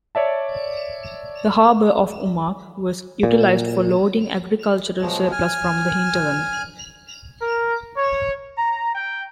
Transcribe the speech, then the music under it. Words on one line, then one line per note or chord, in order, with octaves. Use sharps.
The harbour of Umag was utilised for loading agricultural surplus from the hinterland.
C#5 D5 E5 A5
A#2
B2 F3 F#3 G#3
G#5 F6
A#4
C#5
A#5
G5